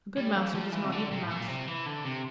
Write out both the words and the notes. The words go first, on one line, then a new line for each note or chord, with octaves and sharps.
A good mouser does not eat the mouse.
G3
F3
F3
E3
C3
D3
C3
A2
A#2
C3
E3
D3
C3